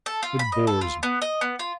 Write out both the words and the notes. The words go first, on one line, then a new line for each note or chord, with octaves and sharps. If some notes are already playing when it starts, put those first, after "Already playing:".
It bores me.
A4
F4
B5
D#5
A4
F4
B3
D#5
B3
F4